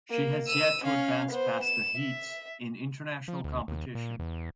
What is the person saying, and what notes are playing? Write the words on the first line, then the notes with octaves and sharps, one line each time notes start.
She has yet to advance past the heats in international competition.
A#3
E6 D#7
C#4 F5
B3 C5
E7
E5
F3
D2
D#2
A#2
E2